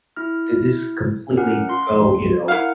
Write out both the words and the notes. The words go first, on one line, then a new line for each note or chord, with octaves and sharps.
did this completely go, you know,
E4 F6
C#4 A#4 F#5
F4 C6
E4 A#4 F5 F#5 F6